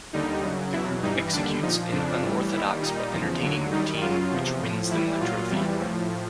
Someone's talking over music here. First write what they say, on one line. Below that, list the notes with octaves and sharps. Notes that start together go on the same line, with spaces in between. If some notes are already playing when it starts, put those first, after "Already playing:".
The group executes an unorthodox but entertaining routine which wins them the trophy.
D#2 D3 G3 D#4
F#2 C#3 F#3
E2 B2 F#3 E4
G2 E3 G3 D#4
D#2 D3 G3 D4
A#2 F3 D#4
F2 C#3 F3 D4
A2 E3 G3
D#2 D#3 G3 E4
A#2 G3 D#4
E2 C#3 F3
D#2 D3 F#3
F#2 D#3 G3 D#4
F#2 C#3 F#3 F4
E2 C3 F3
A2 F3
A2 E3 G3 E4
A#2 F#3 F4
E2 C3 E3 G3
A2 F3